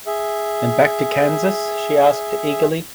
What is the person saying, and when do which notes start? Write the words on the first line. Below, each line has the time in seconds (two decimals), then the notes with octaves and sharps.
And back to Kansas? she asked, eagerly.
0.07 G#4 E5